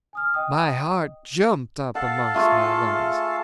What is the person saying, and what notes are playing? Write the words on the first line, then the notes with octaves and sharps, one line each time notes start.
My heart jumped up amongst my lungs.
G#5 D#6 F6
D#5 G5 D#6
A4 F5 F#5 A5
A3 F4 G#4